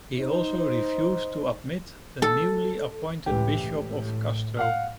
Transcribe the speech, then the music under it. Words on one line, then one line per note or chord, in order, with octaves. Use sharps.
He also refused to admit the newly appointed bishop of Castro.
D#4 C5
A4
C#2 A2 E3 G4
A2
F5 F#5 F6